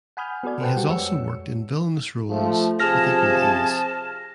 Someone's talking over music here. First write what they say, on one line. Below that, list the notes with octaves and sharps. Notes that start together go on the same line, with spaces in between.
He has also worked in villainous roles with equal ease.
F#5 G#5 B5 D#6 F6 G6
B3 F#4 A4 D5 G#5
A4 B4 C5 F#5 G5 A5
G3 F#4 G4
F2 G#3 C#5 E6 C#7
F3 A3
C3 F3 G#4 A5 F6 A#6